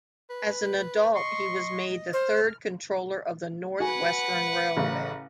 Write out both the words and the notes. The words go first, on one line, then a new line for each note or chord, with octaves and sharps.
As an adult, he was made the third Controller of the North Western Railway.
B4
D#5 C6 C#6
C5 F6
F#4 B4 F#5 G#5
A1 C#3